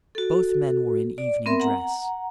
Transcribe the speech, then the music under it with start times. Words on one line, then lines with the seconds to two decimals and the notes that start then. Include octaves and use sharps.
Both men were in evening dress.
0.15 F#4 A4
1.18 D5
1.46 B3 C4 A#4 E5 C6
1.60 F#5 A#5